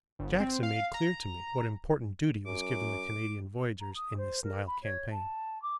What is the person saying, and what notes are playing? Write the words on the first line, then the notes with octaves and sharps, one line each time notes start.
Jackson made clear to me what important duty was given the Canadian voyageurs in this Nile campaign.
G1
C4
F5
A#5
F#2 D6
A#5
D#6
C5
A#4
B5
C#5
A5
D6